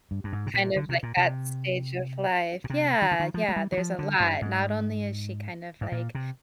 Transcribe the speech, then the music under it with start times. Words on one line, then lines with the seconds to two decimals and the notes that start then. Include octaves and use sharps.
kind of like that stage of life. Yeah, yeah, there's a lot. Not only is she kind of, like,
0.11 G2
0.24 G2
0.33 G#2
0.47 C3
0.54 A#2
0.76 D3
0.89 C3
1.03 A#2
1.17 C3
2.64 A#2
2.70 C3
3.02 D#3
3.11 D3
3.20 D#3
3.34 F3
3.49 G#3
3.56 G3
3.72 D#3
3.77 F3
3.99 D3
4.20 G2
4.42 G#2
5.81 G#2
5.92 A#2
6.15 C3